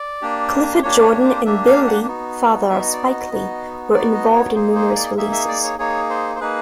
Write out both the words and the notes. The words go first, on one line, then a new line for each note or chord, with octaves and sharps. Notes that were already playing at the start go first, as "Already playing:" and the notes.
Clifford Jordan and Bill Lee, father of Spike Lee, were involved in numerous releases.
Already playing: D5
A#3 D4 G4
A#3 D4 G4 C#5
D5
C#5
C5
A#3 D4 G4 E5
F5
F#5
B3 D#4 F#4
B3 D#4 F#4 E5
D#5
D5
D#5
B3 D#4 F#4
B3 D#4 F#4 D5
D#5
C#5
A#3 D#4 G#4 C5
C5
D5
A#3 D#4 G#4 E5
E5
D5
C#5
A#3 D#4 G#4 C#5
C5
C5
A#3 D#4 G#4 B4